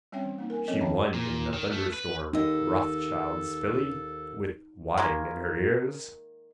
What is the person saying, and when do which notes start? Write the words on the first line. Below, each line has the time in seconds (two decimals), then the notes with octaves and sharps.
She won in a thunderstorm, Rothschild's filly, with wadding in her ears.
0.12 G3 C4 C#4 C#5 E5 G5
0.25 E3
0.38 A#3 D#4
0.50 A#4 G#5
0.68 F3 C4 C#4 A4 C#5 D#5
0.81 D#3 F3 D4 E5 G5 A5
1.14 A#2
1.54 D#3
1.72 A3
1.94 B4
2.33 D#2 D#4 A4 D#5
4.97 D#3 G#3 A#3